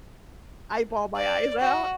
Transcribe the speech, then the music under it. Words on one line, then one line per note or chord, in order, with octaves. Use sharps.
I bawl my eyes out.
D5
F#4